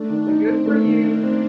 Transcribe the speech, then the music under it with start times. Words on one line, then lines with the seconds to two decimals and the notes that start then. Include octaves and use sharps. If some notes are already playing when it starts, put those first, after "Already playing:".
like, "Good for you."
Already playing: A3 D4
0.09 D#3
0.28 D#4
0.47 C4
0.66 A3 A#3
0.85 D#3
1.04 D#4
1.23 C4